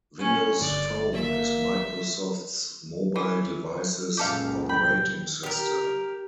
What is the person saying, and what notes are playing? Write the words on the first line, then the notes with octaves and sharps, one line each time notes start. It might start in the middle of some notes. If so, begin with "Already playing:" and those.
Windows Phone is Microsoft's mobile device's operating system.
C#4
G1 D5
A#3 E5
E3
C#2 F#2 A#2 G4 A4 F5
G5 B5
G4 A#4